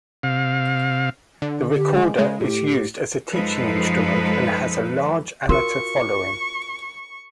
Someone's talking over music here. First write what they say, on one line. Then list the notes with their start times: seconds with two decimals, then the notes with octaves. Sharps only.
The recorder is used as a teaching instrument and has a large amateur following.
0.23 C3 F5
1.42 D3
1.77 G4
1.95 G#3
2.19 C#3 G#3
2.41 A2 G4
3.31 F#2 F3 G#3 D#4 A4 B4
5.49 F4 F#4 A#4 C#6